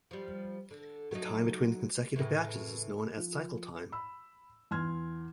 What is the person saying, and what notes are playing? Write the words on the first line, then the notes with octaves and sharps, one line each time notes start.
The time between consecutive batches is known as cycle time.
F3 G3
D3
F#3 A3 D#4
A2 C#3 E3
F3
B5 E6
E2 C6 F6 G#6